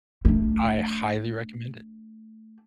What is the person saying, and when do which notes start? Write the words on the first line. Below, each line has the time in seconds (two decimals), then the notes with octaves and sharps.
I highly recommend it
0.25 A3 D4